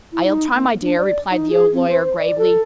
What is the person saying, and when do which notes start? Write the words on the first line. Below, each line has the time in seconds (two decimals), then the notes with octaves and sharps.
"I'll try, my dear," replied the old lawyer, gravely.
0.12 E4
0.24 D#4
0.54 A#3
0.81 D4
0.97 D5
1.31 D#4
1.50 G#4
1.73 C4
1.89 C5
2.17 D5
2.38 A4